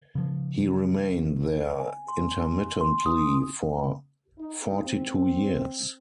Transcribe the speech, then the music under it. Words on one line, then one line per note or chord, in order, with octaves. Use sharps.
He remained there intermittently for forty-two years.
C#3 F3
G#5
C6
C6
D#6
D#4
C4